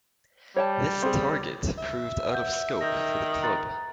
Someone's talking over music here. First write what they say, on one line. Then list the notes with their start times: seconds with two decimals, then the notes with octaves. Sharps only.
This target proved out of scope for the club.
0.56 G3 C#5 G5 A5
1.03 C4 G#4
1.78 E5
2.31 F#5 G6
2.81 D#3 G6 A#6
3.42 A#5 F#6 A6